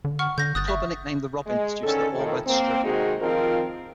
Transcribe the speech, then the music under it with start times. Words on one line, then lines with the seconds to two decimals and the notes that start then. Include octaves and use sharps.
The club are nicknamed "The Robins" due to their all-red strip.
0.05 D3
0.19 F#5 C#6 F6
0.38 D3 G6 A#6
0.55 G1 D#6 F#6 A6
0.68 E5 C#6
1.46 G#3
1.84 D3 D#3 C#4 A4
2.15 F2 A2 D#3
2.47 A#3 C4
2.84 C3 D#3 G#3 D#4 F#4 G#4
3.22 D#3 F3 C4 D#4 F4 A#4